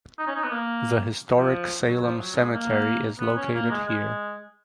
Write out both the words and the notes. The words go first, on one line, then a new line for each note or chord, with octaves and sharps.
The historic Salem cemetery is located here.
D#4
C#4
D#4
B3
A#3
F3
F#3
F3
F#3
G#3
A#3
B3
C#4
A#3
G#3
G#3